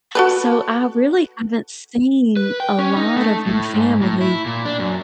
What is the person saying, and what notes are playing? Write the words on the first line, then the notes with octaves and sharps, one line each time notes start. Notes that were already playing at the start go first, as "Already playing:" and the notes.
so I really haven't seen a lot of my family
F#4 A4 B4
B4
G5
C#4
D#4
A3
A2
G#2
A2
E4
A#2
D4
F#2